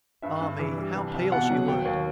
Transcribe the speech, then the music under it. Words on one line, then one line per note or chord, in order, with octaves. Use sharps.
Ah me, how pale she looked!
G2 E5
G2
E3
G3
C2
C2
B2 F#5
F#3
D#2 G5
D#2